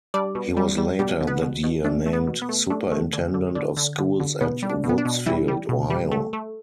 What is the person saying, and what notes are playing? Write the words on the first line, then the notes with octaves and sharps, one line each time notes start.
He was later that year named superintendent of schools at Woodsfield, Ohio.
G3 D4 D5
B2
G3
G3
B2 G3 G4
B2
B3 B4
B2
B2
A3 D4
A3
B3
B2
B3
A3
A3 D4
A3
D3
D3
D3 D4
D3
D3
D3
B2 B3
G3
D4
B2
B3
D4
B2
E3 G3 E4
G3
B2
G3
A3
A3